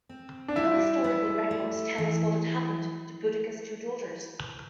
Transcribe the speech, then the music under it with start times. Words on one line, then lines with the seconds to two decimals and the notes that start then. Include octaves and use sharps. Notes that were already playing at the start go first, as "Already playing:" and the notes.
No historical records tell us what had happened to Boudica's two daughters.
0.09 C4
0.48 D4
0.56 G3 E4
1.04 G3
1.51 A3
1.98 E3